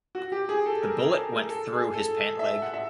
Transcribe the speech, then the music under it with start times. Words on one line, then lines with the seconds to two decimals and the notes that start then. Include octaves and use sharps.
The bullet went through his pant leg.
0.15 F#4
0.32 G4
0.49 G#4
0.66 A4
0.82 A#4
0.98 A#4
1.16 A4
1.33 A#4
1.49 A4
1.72 G#4
1.94 A4
2.39 E5
2.62 F#5
2.73 E5